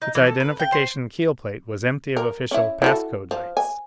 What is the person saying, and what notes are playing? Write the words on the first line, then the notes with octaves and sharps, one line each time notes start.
Its identification keel plate was empty of official pass code lights.
D#4
E3
A4
B4
G5
C5
A#4
C#4 E4
E4 F#4 A4
F3
G#5